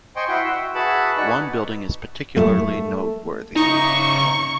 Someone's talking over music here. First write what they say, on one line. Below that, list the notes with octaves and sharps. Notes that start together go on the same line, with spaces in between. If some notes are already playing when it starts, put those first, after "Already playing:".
One building is particularly noteworthy.
C5 D#5 G5 G#5 C6 C#6
E4 F#4 G5 C6
F#4 E5
F#4 G#4 B4 E5 A5 B5
D#4 F#4 G#4 B4 D5 C#6
A3
C#3 D#4 A#5 C#6